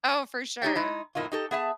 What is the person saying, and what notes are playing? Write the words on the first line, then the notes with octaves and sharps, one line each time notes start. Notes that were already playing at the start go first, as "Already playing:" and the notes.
Oh, for sure.
D#4 G4 C#5 G5
G#3 D#4 E4
F2 A2 A#3 D#4 F4
D#4 G4 A4
B3 G#4 E5 A5